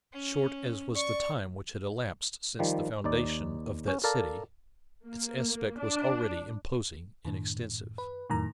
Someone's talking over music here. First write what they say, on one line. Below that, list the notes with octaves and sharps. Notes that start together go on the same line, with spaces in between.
Short as was the time which had elapsed since the foundation of that city, its aspect was already imposing and extensive.
C#4
D5 C#6
D#3 F3 G3
D#2 D#4 D5
C#4
A4 A#4 D5 F5 A5 A#5
A#3
D4
F#2 A2 D#3 D4
B4
F2 A2 D#3 F#3 A#5